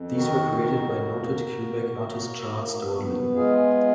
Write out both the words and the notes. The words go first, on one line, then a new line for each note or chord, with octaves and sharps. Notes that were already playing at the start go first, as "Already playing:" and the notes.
These were created by noted Quebec artist Charles Daudelin.
Already playing: F2
D#3 F#4 A#4
F2
A#3
A#3
A#3
A#3
B3
G#3 F4 G#4